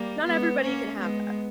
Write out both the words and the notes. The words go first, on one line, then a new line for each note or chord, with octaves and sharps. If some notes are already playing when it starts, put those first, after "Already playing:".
not everybody can have that.
Already playing: G3 A#3
G#3 B3
A#3 C#4
G#3 B3